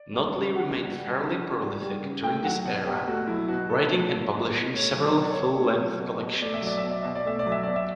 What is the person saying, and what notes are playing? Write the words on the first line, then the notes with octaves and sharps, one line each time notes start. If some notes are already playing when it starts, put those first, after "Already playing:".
Notley remained fairly prolific during this era, writing and publishing several full-length collections.
Already playing: D5
G3
C#3
C#3 F#5
G3
G3
C#3
C#3
G3
G3
C#3
A3 G5
F#3 F#5
B2 F#5
B2 G4
A3 F#4
F#3 E4
B2 F#4
B2 A4
A3
F#3
B2
B2
A3 C#5
F#3
D5
B2
D5
C#5
B2
A3
F#3
B2
B2
A3 D5
E5
F#3 D5
E5
B2
D5
B2 E5
D5
A3 E5
D5
F#3
E5
B2 D5
E5